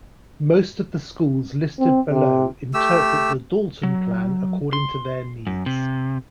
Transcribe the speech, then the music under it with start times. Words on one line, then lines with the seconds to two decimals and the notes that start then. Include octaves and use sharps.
Most of the schools listed below interpret the Dalton Plan according to their needs.
1.79 C4
2.10 C3
2.74 A3 G4 E6
3.83 F#3
4.73 C6
5.47 F#2
5.66 C3